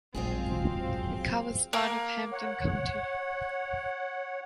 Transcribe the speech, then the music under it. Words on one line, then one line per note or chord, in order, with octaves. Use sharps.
It covers part of Hampden County.
A#1 F#2 F#3 G#3 C4 F4 G#4 F5
A#3
C#5 F#5